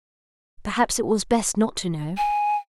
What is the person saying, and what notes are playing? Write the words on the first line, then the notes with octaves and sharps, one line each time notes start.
Perhaps it was best not to know.
G#5